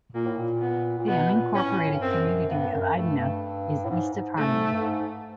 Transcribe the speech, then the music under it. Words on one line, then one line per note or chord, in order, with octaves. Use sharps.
The unincorporated community of Eidenau is east of Harmony.
A#2 A#3
A2
A#2
B3
A#2
B2 B3
A#2
A2 C#4
G2
F#2 C4
G2 B3
F#2
G2 A3
G2
A2
G#2
G#2
A3
G2
G#2